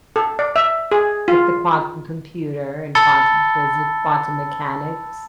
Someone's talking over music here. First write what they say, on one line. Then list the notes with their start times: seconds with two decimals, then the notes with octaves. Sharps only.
Like, the quantum computer and quantum physics, quantum mechanics.
0.16 A4
0.39 D5
0.56 E5
0.92 G#4
1.28 F4
2.95 A5 B5 E6 A6 C#7 G7